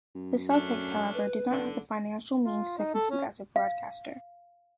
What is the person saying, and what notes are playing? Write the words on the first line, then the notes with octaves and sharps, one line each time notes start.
The Celtics, however, did not have the financial means to compete as a broadcaster.
F#2
A3 C#4 D4
B4
F#1 D3
F4
D#4
A4
C#4
F5